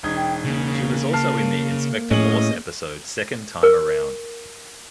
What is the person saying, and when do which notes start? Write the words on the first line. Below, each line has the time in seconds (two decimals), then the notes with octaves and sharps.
She was also in the "Inspector Morse" episode "Second Time Around".
0.03 E1 D#4 G#6
0.17 G5
0.45 C#3 A#3
1.13 A5 F6 C7
2.11 A2 C#4 G#4 D#5 F#7
3.63 A#4